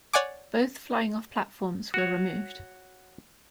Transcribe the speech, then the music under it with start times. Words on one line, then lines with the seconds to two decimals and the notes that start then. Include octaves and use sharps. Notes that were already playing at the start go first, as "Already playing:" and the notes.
Both flying-off platforms were removed.
0.13 C#5 D5 F#5 G#5 D6
1.94 F#4 C#5